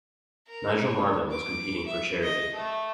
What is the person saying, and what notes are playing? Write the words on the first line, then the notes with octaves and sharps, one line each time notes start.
Nigel Marven was competing for charity.
A#4
C#5
D6
E5
D#5
A3